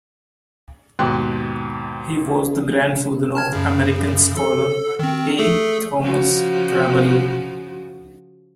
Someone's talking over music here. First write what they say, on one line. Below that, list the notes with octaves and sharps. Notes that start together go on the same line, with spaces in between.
He was the grandfather of American scholar A. Thomas Kraabel.
D#2 G#2 B2 G5 C6 F#6
A5 F6 G#6
F#2 C#3
A4
D#3 C4
A3 G#4 A4
C#3 F3 F#4